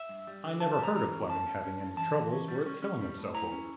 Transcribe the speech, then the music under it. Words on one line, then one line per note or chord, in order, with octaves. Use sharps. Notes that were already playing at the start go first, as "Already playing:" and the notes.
"I never heard of Fleming having any troubles worth killing himself over."
Already playing: E5
G2
G3
D3
G3 A5
A5
G3
A#5
E3 A#5
C#4
G2 A5
C#4
C#4
G2
E3 A5
E3
C#4
G3
C#4
C#4
G3
A2
E4 A#5
C#4